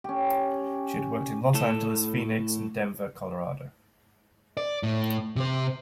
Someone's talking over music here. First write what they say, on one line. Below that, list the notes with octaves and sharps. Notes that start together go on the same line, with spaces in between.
She has worked in Los Angeles, Phoenix and Denver, Colorado.
C#4 G4
A2 A4
D5
A2
C3 C5